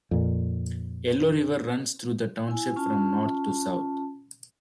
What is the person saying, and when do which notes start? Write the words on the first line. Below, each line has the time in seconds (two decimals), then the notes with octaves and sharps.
Yellow River runs through the Township from North to South.
0.11 F2 A#2
2.47 E4 G#5
2.76 C#4 F4 A5